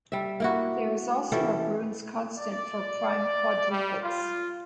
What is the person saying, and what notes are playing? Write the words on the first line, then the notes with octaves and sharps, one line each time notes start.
There is also a Brun's constant for prime quadruplets.
G3 E5
A#3 E4 F#4
E3 C#4 G4 A4
D5
G3
F4